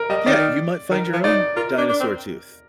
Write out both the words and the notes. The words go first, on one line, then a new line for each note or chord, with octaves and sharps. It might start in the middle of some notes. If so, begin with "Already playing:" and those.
Yeah. You might find your own dinosaur tooth.
Already playing: A#4
G3 D#5
D#3 D5
D#3 A#4
F3
D#4 D5
F4 A#4
D4
D4
C4